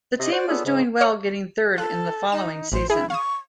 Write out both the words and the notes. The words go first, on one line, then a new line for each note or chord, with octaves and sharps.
The team was doing well getting third in the following season.
C3 D#5
F#4 C5 D5
B3 C#4 D4 F4 G#4 A4
G#2 C#3
C#5 D#5 C#7
F4 A4 F#6
D#4 E7
A1 C5
E4 G#4
F5 C#6 D#6